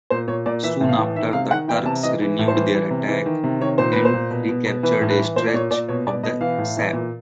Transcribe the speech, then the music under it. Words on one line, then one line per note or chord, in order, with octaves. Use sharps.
Soon after, the Turks renewed their attack and recaptured a stretch of the sap.
A#2 C5
A#2 C#5
A#2 D5
E3 E5
A2
F5
E3
D#3 E5
C3 F5
D#3 F#5
E3 G5
C3 A5
E3 D#5
E3
A2
C5
E3
E3
C3
E3
D#3
C3
D#3 C#5
A#2 C5
A#2 B4
C5
A#2
B2
B2
B2
E3 B4
A2
B4
E3
A#2 C5
D5
A#2 C#5
A#2 D5
B2 C#5
B2 D5
B2 D#5
E3 F5
A2
E3
A#2